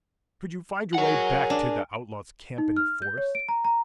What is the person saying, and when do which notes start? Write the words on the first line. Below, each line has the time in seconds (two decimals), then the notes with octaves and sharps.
"Could you find your way back to the outlaws' camp in the forest?"
0.95 G#4 A#4 C#5 F#5
1.50 D4
2.58 D#4
2.77 F6
3.02 G6
3.18 C#5
3.35 D7
3.49 A#5
3.65 A#5